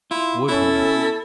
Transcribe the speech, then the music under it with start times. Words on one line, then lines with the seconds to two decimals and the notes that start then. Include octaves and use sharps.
Would he!
0.11 E4 F4
0.48 B2 C#4 E4 A4